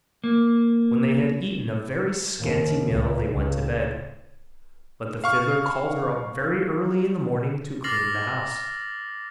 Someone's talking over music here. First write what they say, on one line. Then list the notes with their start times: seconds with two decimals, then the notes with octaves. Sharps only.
When they had eaten a very scanty meal they went to bed; but the fiddler called her up very early in the morning to clean the house.
0.24 A#3
2.40 D#2
2.88 C#2
3.29 C#2
5.24 F5 C#6 F6
7.84 D6 F6 A6 A#6 C7 F#7